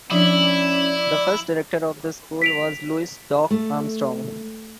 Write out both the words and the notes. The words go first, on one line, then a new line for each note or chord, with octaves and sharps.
The first director of the school was Louis "Doc" Armstrong.
F3 C#4 D4 E4 D5
B6 D7 F7
A3